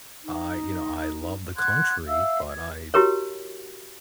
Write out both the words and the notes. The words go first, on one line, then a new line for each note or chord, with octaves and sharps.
I you know, I love the country, but I
D#4
F#5 C6 F#6 G#6
E5 F5 E6
G#6
E4 F#4 G4 A#4 C#5